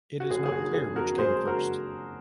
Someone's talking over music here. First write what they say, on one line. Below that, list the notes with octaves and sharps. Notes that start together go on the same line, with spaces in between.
It is not clear which came first.
F#4
F#1 G#4
G#4
F#4
D#3
G#4
F2
F#4 A#4
G#3 G#4 C5
F#1 F#4 A#4